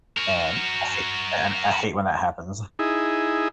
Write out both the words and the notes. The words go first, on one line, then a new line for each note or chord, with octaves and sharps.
And I hate and I hate when that happens.
F#4 A#4
D#4 E4 G#4